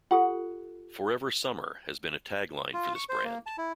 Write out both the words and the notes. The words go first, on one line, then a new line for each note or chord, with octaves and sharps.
"Forever Summer" has been a tagline for this brand.
F4 G4 A4 F#5
F4
C#6
C5
A#3
A5
E4